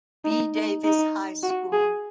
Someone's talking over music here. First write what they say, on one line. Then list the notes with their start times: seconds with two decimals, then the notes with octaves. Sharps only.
B. Davis High School.
0.25 D#4
0.55 D#4
0.84 D#4
1.43 F#4
1.72 G#4